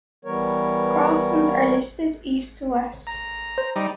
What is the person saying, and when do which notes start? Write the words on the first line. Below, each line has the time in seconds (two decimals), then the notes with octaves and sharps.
Crossing are listed east to west.
0.25 E3 G3 B3 A#4 C#5
3.07 A#5
3.58 C5
3.76 G3 D#4